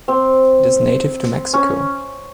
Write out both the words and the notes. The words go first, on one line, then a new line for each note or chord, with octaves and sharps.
It is native to Mexico.
C4
C#4